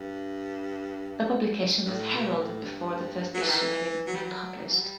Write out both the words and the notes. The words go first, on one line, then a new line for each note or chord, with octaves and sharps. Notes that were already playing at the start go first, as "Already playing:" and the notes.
The publication was heralded before the first issue had even been published.
Already playing: G2
G2
A2
B2
A2
G2
F#3
E3
D#3
E3
F#3
G3
F#3
D#3
E3
F#3
G3